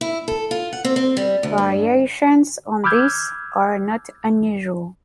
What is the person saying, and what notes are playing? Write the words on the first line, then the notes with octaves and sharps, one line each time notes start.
Variations on this are not unusual.
E4
A4
F4
F#5
C4
C4
G3
D2
G2
B5 D6 E6 F6 G6 G#6